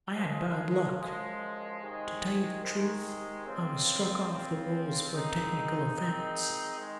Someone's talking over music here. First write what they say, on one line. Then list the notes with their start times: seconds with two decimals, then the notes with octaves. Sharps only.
I had bad luck--to tell you the truth, I was struck off the rolls for a technical offence.
0.16 F#2 F3 G#3
0.99 F#2 F3 G#3
1.81 C3 D#3 G#3
2.63 C3 D#3 G#3
3.46 C#2 C#3 F3 C4
4.28 C#2 C#3 F3 C4
5.12 A#2 G#3 C4 D#4
5.94 A#2 G#3 C4 D#4
6.77 D#3 G#3